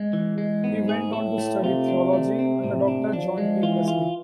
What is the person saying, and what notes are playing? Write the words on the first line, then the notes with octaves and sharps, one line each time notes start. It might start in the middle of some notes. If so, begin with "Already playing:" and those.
He went on to study theology under Doctor John T. Pressly.
Already playing: G#3
E3
G#3
G#2 B3
G#4
A2 E4
A3
C3 F4
D4
A3
C4
A2
D4
F3 D4
G#3
E3 F4
F4